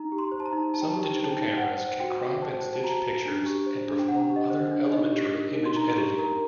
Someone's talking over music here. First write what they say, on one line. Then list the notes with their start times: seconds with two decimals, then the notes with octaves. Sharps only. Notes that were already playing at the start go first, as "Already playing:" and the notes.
Some digital cameras can crop and stitch pictures and perform other elementary image editing.
Already playing: D#4 A#5
0.12 G4
0.18 C6
0.32 C5
0.40 A5
0.46 A#5
0.53 D#4
0.74 D#4 A5
0.82 G5
0.90 A5
0.96 G4
1.02 A5
1.16 C5
1.24 A5
1.30 G5
1.36 D#4
1.57 C5 F#5
1.79 C5
2.00 F#4 G5
2.21 F#4
2.41 C5 A5
2.62 C5
2.75 A5
2.83 F#4 A#5
3.04 F#4
3.25 D4
3.46 G4
3.66 C5
3.88 D4
3.99 G5
4.08 D4 F#5
4.30 G4
4.36 D#5
4.50 C5
4.71 D4
4.92 D#4 D#5
5.13 G4
5.34 A#4
5.56 D#4
5.66 C6
5.76 D#4 A#5
5.97 G4
6.18 A#4 A#5